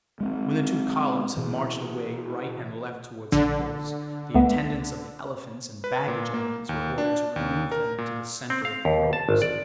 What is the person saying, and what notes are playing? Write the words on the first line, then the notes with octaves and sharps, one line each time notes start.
When the two columns had marched away right and left towards the hills, the attendants of the elephants and baggage animals were ordered to remove them into the centre of the groves.
G#3 B3 C4
B2 E3
A#1 D3
C#2 A3 B3
B4
A#2
A#3
D#2
D4
D#2
A#4
A#2
C4
F5
D#2
A5
G#1
D5